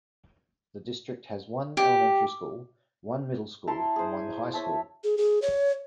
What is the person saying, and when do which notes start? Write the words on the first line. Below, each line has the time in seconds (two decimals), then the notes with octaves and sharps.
The district has one elementary school, one middle school and one high school.
1.77 G4
3.67 E4 A5 A#5 C6
3.96 G#4 C5
4.54 C#5 E5 A5
5.04 G#4
5.18 G#4
5.42 C#5